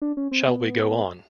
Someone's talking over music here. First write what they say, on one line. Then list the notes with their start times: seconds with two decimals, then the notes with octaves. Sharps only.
Shall we go on?
0.02 D4
0.17 C#4
0.31 C4
0.47 B3